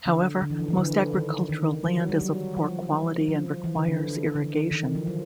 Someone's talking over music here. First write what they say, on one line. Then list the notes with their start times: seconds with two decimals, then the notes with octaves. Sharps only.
However, most agricultural land is of poor quality and requires irrigation.
0.06 D3
0.42 D3
0.50 E3
0.60 F3
0.68 E3
0.77 D3
1.13 D#3
1.49 D#3
1.85 F#3
2.09 G3
2.21 F#3
2.56 F3
3.28 F3
3.64 E3
3.76 D3
3.88 D3
4.35 D3
4.71 D#3
4.84 E3
4.95 F3
5.07 F#3